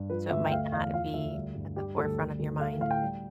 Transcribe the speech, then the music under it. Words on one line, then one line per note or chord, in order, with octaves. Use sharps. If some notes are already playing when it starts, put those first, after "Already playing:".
so it might not be at the forefront of your mind.
Already playing: G2
F3 B4
D2 E5
G5
A3 F5
E2 F5
F3 F5
D2 E5
G3
G2
G3 G4
D2 A4
G3
D2
A3 F5
A2 F5
G5
G3